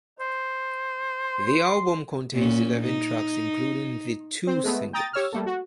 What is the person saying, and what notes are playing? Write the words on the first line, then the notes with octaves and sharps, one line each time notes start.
The album contains eleven tracks including the two singles.
C5
C6
A#2 A#3 C#4
D#4
C4 C5
G#3 A3 B3
G5 A#5 D#6 A6
G4 C#5 E6 F6
G3 A3 A#3 A4
F#4